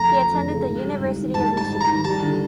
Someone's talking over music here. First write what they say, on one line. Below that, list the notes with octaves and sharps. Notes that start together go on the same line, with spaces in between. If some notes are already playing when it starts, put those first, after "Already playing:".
He attended the University of Michigan.
Already playing: F2 C#3 F3 A3 A#5
F3
F2
C#3
G#2
G3
G#2
D#3
G#2 A5
G3
A5
G#2
A#5
D#3
G3 A5
D3